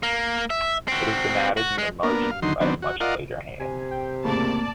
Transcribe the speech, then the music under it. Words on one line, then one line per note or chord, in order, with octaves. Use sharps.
It has been added in the margin by a much later hand.
A#3
E5
C4 F#4
F#4
G#3
A#3 B3 D4 A#4
F5
D#2 D3 F#3 D#4 C6
D#3 F#3 B3 C4 D4
F#4
F4 A#4 D5 D#5 F5 F#5
C3 G#5
G5
F2 A2 C#3 A#3 D5 A5